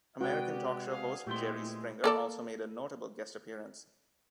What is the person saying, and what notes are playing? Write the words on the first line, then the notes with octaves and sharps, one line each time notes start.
American talk show host Jerry Springer also made a notable guest appearance.
C3 G#3 F#4 B4 D5 G5
G4
G#4 F5
A#2 G#3 A3 C4 E4 G4 C6
A#3 A4 D5